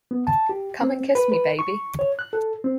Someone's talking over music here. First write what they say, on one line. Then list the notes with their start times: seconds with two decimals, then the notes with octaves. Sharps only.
Come and kiss me, baby.
0.11 B3
0.27 A5
0.49 G4
0.81 C4
1.15 B4
1.32 B4
1.59 C#6
1.99 C#5
2.19 F#6
2.33 A4
2.64 C4